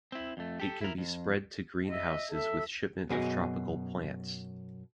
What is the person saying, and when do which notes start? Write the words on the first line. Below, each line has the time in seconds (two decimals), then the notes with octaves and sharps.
It can be spread to greenhouses with shipments of tropical plants.
0.12 C4 E4
0.37 F2 A3
0.60 G4 A4
0.81 E4 A#4
0.98 F2
1.88 D#5 E5
2.31 A4 E5
3.09 F#2 B2 G#4 D#5